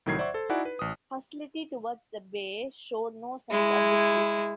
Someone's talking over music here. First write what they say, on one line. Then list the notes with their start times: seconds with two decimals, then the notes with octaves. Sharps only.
Hostility towards the Bey showed no signs of decreasing.
0.06 C2 A2 D#3 F#3 G#6 C7
0.19 C5 D5 E5 F#5 C#6
0.34 A4 C5
0.49 D#4 E4 F#4 D5 F#5 G#5
0.65 B4
0.79 A1 D#6
3.51 G#3 E4